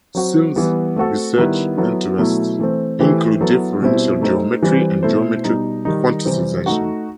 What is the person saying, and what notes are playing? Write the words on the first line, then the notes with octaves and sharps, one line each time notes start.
Simms' research interests include differential geometry and geometric quantisation.
F#3 C4 F#4
E3 G3 B3
A3 C4 F#4 A4
D#3 G3 B3 E4 B4
F#3 B3 E4 A4
B2 F#3 A3 E4
E3 A3 C4
E3 A3 E4 G4 C5
F#3 B3 E4 A4
B2 G3 C4 E4
A3 D#4 G4 C5
E3 G3 C4
B2 A3 E4 A4 C5
B2 G3 D#4
D#3 G3 D#4
C3 E3 G3 C4
A3 D#4 F#4